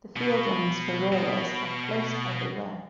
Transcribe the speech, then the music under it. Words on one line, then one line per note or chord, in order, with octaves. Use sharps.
The field lines for railways are close everywhere.
B2
B2